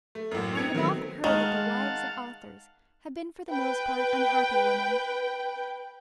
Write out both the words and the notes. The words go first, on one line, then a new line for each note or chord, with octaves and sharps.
I have often heard that the wives of authors have been for the most part unhappy women.
A3
A1 F#2
B3 C4 G#6 C#7 F7
D#3 F#3 A3 B3 C4
D#3 G#3 D#4 F5 F#5 A5
B4 G5